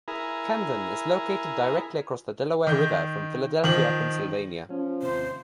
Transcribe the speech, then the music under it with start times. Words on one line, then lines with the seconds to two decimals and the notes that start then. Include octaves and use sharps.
Camden is located directly across the Delaware River from Philadelphia, Pennsylvania.
0.08 E4 G#4 A#4
2.67 D#3 G6
3.64 D#3 F3 F#7
4.70 F3 C#4
5.02 D#2 G#2 C3 C5